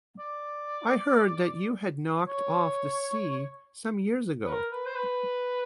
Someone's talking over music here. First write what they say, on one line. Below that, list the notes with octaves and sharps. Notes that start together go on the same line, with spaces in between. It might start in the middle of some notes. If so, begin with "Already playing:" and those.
I heard that you had knocked off the sea some years ago.
D5
C#5
B4
A#4
B4
C5
B4